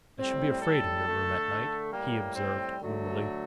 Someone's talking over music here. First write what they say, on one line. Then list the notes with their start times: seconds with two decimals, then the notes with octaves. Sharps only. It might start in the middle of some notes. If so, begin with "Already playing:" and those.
"I should be afraid in your room at night," he observed gloomily.
0.18 A2 G3 C4
0.62 A4
1.06 D3 A3
1.92 A2 G3 A#3
2.35 C4
2.79 D3 F#3 A3